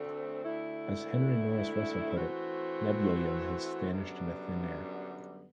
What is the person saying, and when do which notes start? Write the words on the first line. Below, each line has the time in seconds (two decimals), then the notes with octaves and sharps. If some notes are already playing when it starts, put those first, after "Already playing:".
As Henry Norris Russell put it, Nebulium has vanished into thin air.
Already playing: D2 D3 A3 C4
0.43 D2 D3 A3 E4
2.16 E3 A3 C4 F#4
3.90 F#2 D3 G3 B3 D4